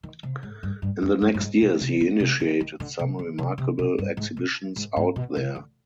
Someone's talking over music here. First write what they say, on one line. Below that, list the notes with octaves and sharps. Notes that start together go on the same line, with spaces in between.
In the next years he initiated some remarkable exhibitions out there.
D#3
C3
G#2
G2
G2
F2
G2
G2
G#2
B2
C3
D3
C3
D3
D#3
D3
C3
D3
C3
C3
B2
G2
G#2
B2
G#2
G#2
B2
C3
D3